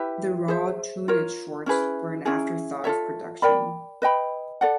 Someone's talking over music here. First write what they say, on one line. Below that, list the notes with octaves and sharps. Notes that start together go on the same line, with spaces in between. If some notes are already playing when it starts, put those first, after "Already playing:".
The "Raw Toonage" shorts were an after-thought of production.
Already playing: E4 G4 B4 E5
G#4 C5 E5
F4 A#4 C#5
C#4 E4 G#4 B4
C#4 E4 G#4
F4 A4 C#5 E5
A#4 D5 G5 B5
B4 D#5 G5 B5
A4 D5 F#5